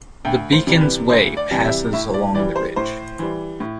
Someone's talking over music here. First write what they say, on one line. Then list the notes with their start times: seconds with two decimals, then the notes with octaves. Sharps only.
The Beacons Way passes along the ridge.
0.25 D2 G5
0.52 C5
0.67 C3 E3 G3
0.81 B4
1.09 D2 C5
1.37 D5
1.51 C3 E3 G3
1.65 E5
1.93 A2 E5
2.14 D5
2.34 E3 D5
2.39 G3
2.56 C5
2.76 A2 C5
3.19 E3 G3
3.60 A2